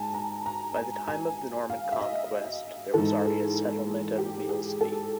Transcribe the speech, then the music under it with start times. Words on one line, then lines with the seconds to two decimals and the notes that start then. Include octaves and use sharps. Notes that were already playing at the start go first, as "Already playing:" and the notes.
By the time of the Norman conquest there was already a settlement at Weelsby.
Already playing: G#2 G#5 A5
0.14 A#5
0.46 A#5
0.77 G#5
1.08 G#5
1.70 F5
1.92 E5
2.01 D#5
2.94 G#2 E3 A4
3.25 G#4
4.18 G4
4.49 G#4
4.81 A4